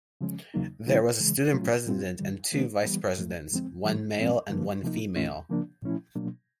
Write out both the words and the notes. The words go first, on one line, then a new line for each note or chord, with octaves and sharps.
There was a Student President and two Vice-Presidents, one male and one female.
C#3 F3 G#3 C#4
E2 C#3 F#3 A#3 D#4
D3 F#3 A3 C#4 E4
C#3 E3 G#3
A#2 F#3 A3 C#4 F4
A#2 G3 C4 F4
G#2 D#3 G3
D#3 G#3 B3 D4
E3 G3 B3
G#2 F3 A3
F#2 D3 F3 G#3 C4
G#2 E3 G3
G#2 F3 G#3 C4
F#2 D3 F3 A#3
C3 F3 A#3 D#4
A2 E3 A3 C#4 F4
C#3 F3 A#3 D4
A#2 F3 A3 C#4 E4
B2 F#3 A#3 D4